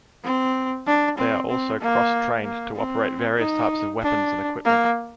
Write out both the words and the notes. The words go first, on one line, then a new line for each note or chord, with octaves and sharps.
They are also cross-trained to operate various types of weapons and equipment.
C4
D4
C4
C4
A#3
A#3
C4
D#4
D4
A#3